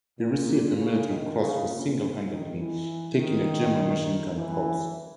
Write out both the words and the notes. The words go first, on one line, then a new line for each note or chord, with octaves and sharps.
He received the Military Cross for single-handedly taking a German machine-gun post.
A#2
C#3
D#3
C#3
A#2
C#3
D#3
E3
D#3
E3